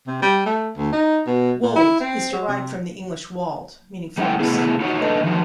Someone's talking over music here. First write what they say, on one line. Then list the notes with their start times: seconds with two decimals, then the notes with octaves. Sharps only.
Wold, is derived from the Old English "Wald" meaning "forest".
0.07 C3
0.22 G3
0.45 A3
0.77 D2
0.92 D#4
1.26 B2
1.62 A#2
1.75 E4
2.00 C4
2.32 F#3
2.48 C3
4.18 G3 A3 C#4 E4 F#5 G5
4.40 A2 C3 B3 E4 G#4
4.80 D#4 F4 F#4 C#5
5.01 F#2 A2 D4 A4 B4 D#5
5.23 D#3 F3 F#3